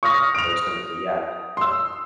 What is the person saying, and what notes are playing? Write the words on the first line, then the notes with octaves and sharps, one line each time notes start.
very simply yeah.
C#6 D#6 F6 A#6
D7 F7
C6 E6